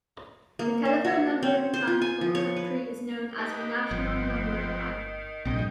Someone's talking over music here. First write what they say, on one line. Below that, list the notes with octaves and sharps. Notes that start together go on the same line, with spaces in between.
The telephone numbering plan for the country is known as the National Numbering Plan.
A#3
C5
F#4
C4
C5
F4
G#5
F3
C#5
B4
D#3 D#4 G4 B4
G1 F3 B3 C4
A#1 G2 C3 D#3 D#5 G5